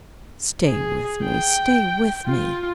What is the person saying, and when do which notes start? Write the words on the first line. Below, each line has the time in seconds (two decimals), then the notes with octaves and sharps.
Stay with me, stay with me!
0.67 G#4
1.25 G5
2.26 F4